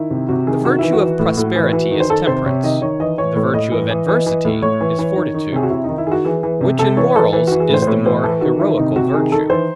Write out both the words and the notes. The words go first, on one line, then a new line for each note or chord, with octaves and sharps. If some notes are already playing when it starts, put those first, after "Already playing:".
The virtue of prosperity, is temperance; the virtue of adversity, is fortitude; which in morals is the more heroical virtue.
Already playing: D#3 E4
C3
C3 F#4
D#3 G#4
D#3 F#4
E3 E4
F#4
E3
A2
A2
E3
E3
D#3
C5
D#3 A4
C3 C5
C3 C#5
D#3 D#5
D#3 C#5
E3 D#5
E3 C#5
A2 C#5
A2 D#5
E3
E3
E3
E3
A2
A2 C#5
E3
E3
D#3
D#3
C3 G#4
F#4
C3 E4
D#3 D#4
E4
D#3 F#4 G#4
E3 G#4
E3
C3
C3 A4
E3 C#5
E3 A4
E3
E3 F#4
G#4
A2 C5
C5
A2 C#5
E3 C5
E3 A4
D#3 F#4
D#3 E4
C3 D#4
C3 F#4
D#3 G#4
D#3 A4
E3 C5